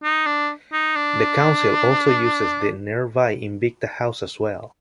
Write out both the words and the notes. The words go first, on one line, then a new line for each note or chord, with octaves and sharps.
The council also uses the nearby Invicta House as well.
D#4
D4
D#4
D4